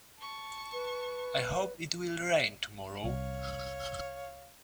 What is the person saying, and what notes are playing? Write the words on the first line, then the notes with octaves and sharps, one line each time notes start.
I hope it will rain tomorrow.
A5 C#6
B4
C2 C#5 F5